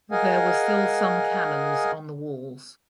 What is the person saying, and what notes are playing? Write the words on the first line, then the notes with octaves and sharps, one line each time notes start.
There were still some cannons on the walls.
G#4 A#4 D#5 F5 F#5 G#5